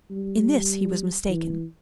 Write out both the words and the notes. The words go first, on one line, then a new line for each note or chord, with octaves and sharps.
In this he was mistaken.
G3
E3